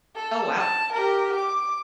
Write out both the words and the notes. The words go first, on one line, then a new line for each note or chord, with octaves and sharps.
Oh, wow.
A4
A5
G4 A#4
D6